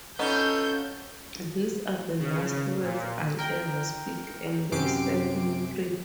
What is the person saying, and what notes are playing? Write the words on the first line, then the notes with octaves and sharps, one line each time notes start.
These are the last words I'll ever speak, and they'll set me free.
B3 C#4 D#4 F4 F#4 A4 G6
C#3
A#2
A#4 G5
F#2 C3 G4 D6 C7 D7